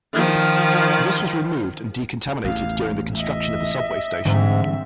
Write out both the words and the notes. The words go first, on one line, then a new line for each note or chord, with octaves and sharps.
This was removed and decontaminated during the construction of the subway station.
D#3 F3
A1 E2 F5
D#5 E5
G#2 D3 E3 G3 C4 E5